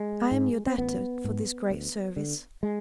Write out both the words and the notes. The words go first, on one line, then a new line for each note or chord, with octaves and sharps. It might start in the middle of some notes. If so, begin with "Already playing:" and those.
'I am your debtor for this great service.'
Already playing: G#3
G#2
C4
A1 B3
G#2
D2
D3
G#3